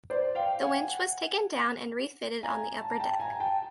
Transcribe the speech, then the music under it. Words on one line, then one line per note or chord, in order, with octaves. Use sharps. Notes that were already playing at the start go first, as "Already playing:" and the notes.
The winch was taken down and refitted on the upper deck.
C5 D5
F5 G5
F#5 G#5
G#5 A#5
A5
A#5
G5 A5
G#5 A#5
G5 A5